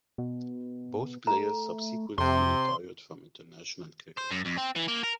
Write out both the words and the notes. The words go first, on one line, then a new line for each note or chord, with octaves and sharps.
Both players subsequently retired from international cricket.
B2
A3 A#5
F2 C3 C6
C5
F#2
F2
C4
E3
A#3
A#4